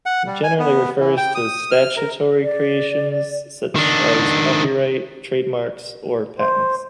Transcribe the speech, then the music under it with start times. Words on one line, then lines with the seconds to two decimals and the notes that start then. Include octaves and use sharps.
It generally refers to statutory creations such as copyright, trademarks, or patents.
0.06 F#5
0.27 G3
0.43 G#5
0.59 B3
1.00 E3
1.17 G5
1.35 D#6
1.71 F6
1.97 A#4
2.42 D5
3.76 D#3 D4
6.39 C5